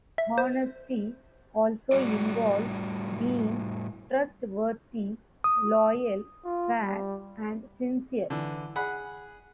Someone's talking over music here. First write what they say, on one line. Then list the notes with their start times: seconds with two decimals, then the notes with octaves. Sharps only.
Honesty also involves being trustworthy, loyal, fair, and sincere.
0.18 E5
0.38 C5
1.92 A2 G3 F#4 D5
5.44 D#6
6.45 F4
6.82 G3
8.30 D3 E3
8.76 G#4 F#5 B5